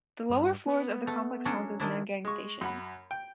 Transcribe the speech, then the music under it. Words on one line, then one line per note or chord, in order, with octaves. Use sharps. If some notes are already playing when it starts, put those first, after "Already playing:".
The lower floors of the complex houses Nangang station.
G2
B3
A3
F#3 C#4 D4
D#3 D4 E4
G#3 C#6
F#2 F#5 B5
G5